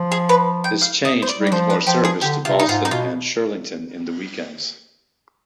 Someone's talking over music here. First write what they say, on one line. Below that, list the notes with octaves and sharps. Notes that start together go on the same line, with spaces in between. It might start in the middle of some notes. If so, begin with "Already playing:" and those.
This change brings more service to Ballston and Shirlington in the weekends.
Already playing: F3
G#4
B4
G5
F5
D#5
C5
D5
G3
D5
F3 C5
B4
F3 G4
G#4
D3 G4
C3 F4
D#4
G#2 F4
D#4
B2 F4